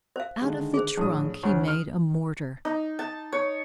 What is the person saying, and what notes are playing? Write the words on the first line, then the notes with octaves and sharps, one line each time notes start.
Out of the trunk he made a mortar.
C5 F5
D3 D#3 G#3
G#4 C5
A#1 A2 D#6
D2 C#4
F6
D#4
A5
C#5